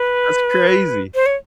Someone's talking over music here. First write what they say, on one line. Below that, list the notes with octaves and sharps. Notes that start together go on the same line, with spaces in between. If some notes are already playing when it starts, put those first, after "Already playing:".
That's crazy.
Already playing: B4
C5
C#5